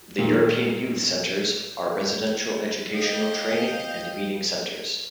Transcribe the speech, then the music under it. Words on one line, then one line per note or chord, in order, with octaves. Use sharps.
The European Youth Centres are residential educational, training and meeting centres.
A#2 D#3
D#5 F5 G5